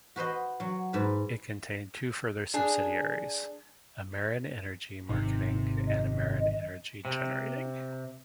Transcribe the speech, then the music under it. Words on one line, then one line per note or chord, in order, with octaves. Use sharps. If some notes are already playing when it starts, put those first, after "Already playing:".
It contained two further subsidiaries, AmerenEnergy Marketing, and AmerenEnergy Generating.
F#4 B4 C5 D#5
F#3
G#2 B4
D4 G#4
G#1 C3 D#3
D#5
C3